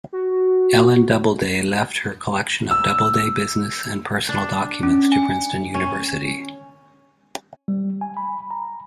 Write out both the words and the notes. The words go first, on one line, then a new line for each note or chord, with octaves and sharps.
Ellen Doubleday left her collection of Doubleday business and personal documents to Princeton University.
F#4
E6
D4
C#4
G#5
C#4
G3
G#5
B5
A#5